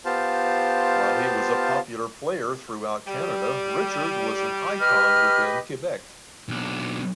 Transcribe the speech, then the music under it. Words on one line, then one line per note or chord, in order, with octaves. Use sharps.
While he was a popular player throughout Canada, Richard was an icon within Quebec.
B3 F4 G4 C5 F5 A5
G3
G4 B4 D#5 F6
B1 D4